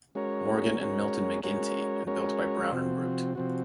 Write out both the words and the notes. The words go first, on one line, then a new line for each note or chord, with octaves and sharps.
Morgan and Milton McGinty and built by Brown and Root.
G#3 C#4 F#4 A#4 C#5
G#3 C#4 F#4 A#4 C#5
G#3 C#4 F#4 A#4 C#5
G#3 C#4 F#4 A#4 C#5
C3 F3 C4 F#4
C3 F3 C4 F#4